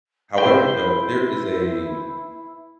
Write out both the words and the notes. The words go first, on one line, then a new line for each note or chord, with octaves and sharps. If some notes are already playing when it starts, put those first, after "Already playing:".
however, though, there is a
E4 B4 C5 G5